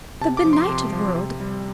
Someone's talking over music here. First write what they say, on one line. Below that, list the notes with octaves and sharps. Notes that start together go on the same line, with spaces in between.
The benighted world!
C3 A5
D6
F3
C6
C3
F3
C3
G3